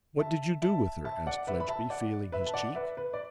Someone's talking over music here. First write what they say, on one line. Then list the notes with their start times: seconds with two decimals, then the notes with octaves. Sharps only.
'What did you do with her?' asked Fledgeby, feeling his cheek.
0.19 E5 A5
0.62 E5 A5
1.05 E5 A5
1.27 D5 F#5
1.47 B4 E5
1.60 B5
1.68 E5 A5
1.90 D5 F#5
2.32 B4 E5
2.47 A5
2.54 D5 F#5
2.75 B4 E5
2.97 B4
3.14 D5